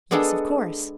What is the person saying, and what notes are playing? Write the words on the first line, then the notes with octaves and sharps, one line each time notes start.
"Yes, of course."
G#3 B3 D4 G#4 A4